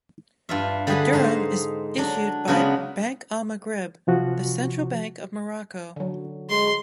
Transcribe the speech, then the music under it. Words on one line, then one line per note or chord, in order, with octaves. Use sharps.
The dirham is issued by the Bank Al-Maghrib, the central bank of Morocco.
G2 F4 E5
D3 G3 G4 G#4 B4
G#2 D#4 C5
F#3 D4
C#3 F#3 G#3 B3 D4
C3 F3 F#4
D3 F#3
G#3 C6